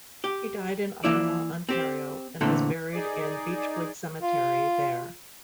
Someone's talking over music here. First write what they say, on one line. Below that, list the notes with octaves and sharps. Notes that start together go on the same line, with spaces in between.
He died in Ottawa, Ontario and was buried in Beechwood Cemetery there.
G4
E3 A#3 E4 D5
C4 G4
A#2 D3 E3 A3 C4
D#4 G#4 D5
F4